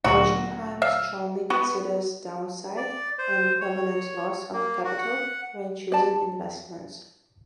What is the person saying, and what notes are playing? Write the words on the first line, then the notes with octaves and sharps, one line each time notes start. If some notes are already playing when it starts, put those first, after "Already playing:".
Wachenheim strongly considers downside and permanent loss of capital when choosing investments.
D2 A#2 F#3 F#4
E5 F5
B3 F#4
D5
C5
C#5
A#3
F#4
F#5
D5 A5